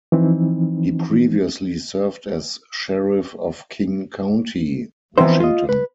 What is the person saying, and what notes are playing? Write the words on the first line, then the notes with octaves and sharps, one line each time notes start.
He previously served as sheriff of King County, Washington.
E3 F3 C4 D#4
E3 F3 B3 C4 D#4 C5
F4 D#5
B4